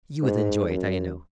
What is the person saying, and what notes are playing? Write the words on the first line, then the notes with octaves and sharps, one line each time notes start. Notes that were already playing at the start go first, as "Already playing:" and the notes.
You would enjoy it, I know.
G#2
F#2